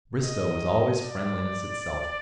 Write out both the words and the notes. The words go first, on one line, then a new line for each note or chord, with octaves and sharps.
Bristow was always friendliness itself.
D#5
D5